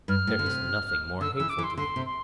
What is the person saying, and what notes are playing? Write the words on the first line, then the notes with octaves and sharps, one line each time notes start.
There is nothing more hateful to them.
G2 F6
A2
D3
C3
D3 E6
E3 E6
D6
E3
C6
D3 C6
C3
C6